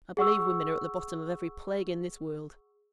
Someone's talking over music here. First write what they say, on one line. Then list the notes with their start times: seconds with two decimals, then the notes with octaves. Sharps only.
I believe women are at the bottom of every plague in this world.
0.17 G#4 F#5 C#6 E6